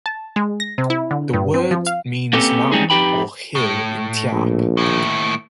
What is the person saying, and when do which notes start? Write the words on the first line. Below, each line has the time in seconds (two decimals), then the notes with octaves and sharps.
The word means "mountain" or "hill" in Tyap.
0.06 A5
0.36 G#3
0.60 A#6
0.78 C3
0.90 E4
1.11 D3
1.33 G2
1.54 C4
1.71 F3
1.87 F5
2.33 A#3 C4 C#4 G4 A4 B4
2.72 G3 G#3 C4 C#4 D#4 G#4
2.90 F2 D#4 G4 B4 G5 B5
3.55 A2
4.32 A#1
4.77 D#2 A2